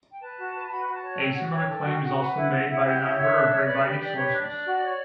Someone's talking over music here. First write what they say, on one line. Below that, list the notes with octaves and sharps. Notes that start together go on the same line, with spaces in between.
A similar claim is also made by a number of Rabbinic sources.
G5
B4 A5
F#4
B4
F#4 B5
F#4
A5
C#5
A4 G5
F#4 F#5
G5
C#5
A4
F#4
F#4
B4 F#5
E4
E4
E4
G4
E4
C#5 E5
D4
C#5
B4 D5
G4
G4 D5
B4 C#5
D4
D5
D4
F#4
C#5